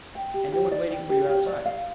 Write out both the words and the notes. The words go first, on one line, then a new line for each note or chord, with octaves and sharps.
"And no one waiting for you outside?"
G5
G4
G4
D5
G5
G4
G4
D5
F5